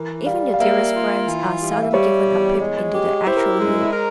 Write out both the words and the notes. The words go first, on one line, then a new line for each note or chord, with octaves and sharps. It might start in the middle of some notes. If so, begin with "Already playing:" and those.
Even your dearest friends are seldom given a peep into the actual You.
Already playing: E3 A#4
G3 F5
F5
A#3 E5
F4
E3
G3
F5
E5
G3 C#5
E2
G#3
G4
E4 C5
A#4
C5
G#3
A#4